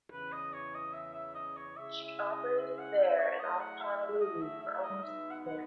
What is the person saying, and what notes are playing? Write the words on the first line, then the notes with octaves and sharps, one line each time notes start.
She operated there and off Honolulu for almost a year.
E2 C#3 E3 B4
D#5
C#5
D#5
E5
E5
D#5
C#5
C#3 G#3 C#4 E4 G#4 E5
E5
D#5
E5
F#5
E5
C#5
F#3 A3 E4 G#4 D#5
F#5
E5
E5
D#5
E5
E5
D#5
B2 G#3 B3 D#4 E5
F#5
F#5